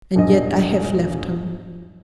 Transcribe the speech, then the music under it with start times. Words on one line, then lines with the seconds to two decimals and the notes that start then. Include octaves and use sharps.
And yet I have left him.
0.15 E1 A#1 G#2 D#5